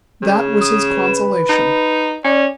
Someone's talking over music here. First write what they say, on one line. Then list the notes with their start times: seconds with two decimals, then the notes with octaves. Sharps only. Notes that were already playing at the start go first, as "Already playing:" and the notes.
That was his consolation.
0.22 C#3
0.61 D#6
0.94 B4
1.49 D#4
2.25 C#4 D5